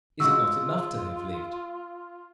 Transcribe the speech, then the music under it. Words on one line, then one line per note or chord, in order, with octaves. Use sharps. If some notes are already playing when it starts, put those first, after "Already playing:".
Is it not enough to have lived?
G#3 F4 F#4 E6